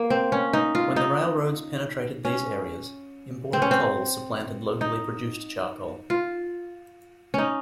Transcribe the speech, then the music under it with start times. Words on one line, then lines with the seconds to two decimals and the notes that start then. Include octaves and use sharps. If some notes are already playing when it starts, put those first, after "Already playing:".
When the railroads penetrated these areas, imported coal supplanted locally produced charcoal.
Already playing: A#3
0.10 C4
0.32 C#4
0.53 D#4
0.75 F4
0.96 D#4
2.25 C#4
3.53 C4
3.62 C#4
3.71 C4
4.81 D#4
6.10 F4
7.34 C#4 D#4